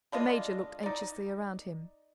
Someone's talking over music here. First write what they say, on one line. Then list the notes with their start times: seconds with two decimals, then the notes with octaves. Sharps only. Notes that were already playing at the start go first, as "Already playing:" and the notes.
The major looked anxiously around him.
0.12 D3 G#3 F4 D#5
0.83 D#4 D5